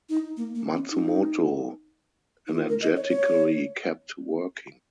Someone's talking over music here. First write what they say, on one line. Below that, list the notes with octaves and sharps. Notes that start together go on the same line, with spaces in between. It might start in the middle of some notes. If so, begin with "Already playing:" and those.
Matsumoto energetically kept working.
D#4
A#3
A#3
C#4
D#4
D#4
F4
A#4
D#5
C#5
C#5